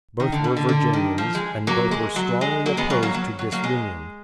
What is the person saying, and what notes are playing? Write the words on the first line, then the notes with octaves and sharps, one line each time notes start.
Both were Virginians, and both were strongly opposed to disunion.
D#3
D3
B2
D3
D3
D#3
F3
G#3
F#3 A#3
G#3
F#3
G#3
F#3 A#3
G#3 B3
F#3 A#3
F#3 A#3
F#3
F#3
F#3 A#3
G#3